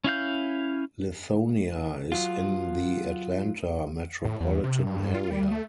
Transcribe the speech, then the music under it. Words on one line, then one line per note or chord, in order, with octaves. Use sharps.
Lithonia is in the Atlanta metropolitan area.
C#4 E4 F5 G6
F#3 F4
A2
E2
C3
G2
G2
F4
G3
A3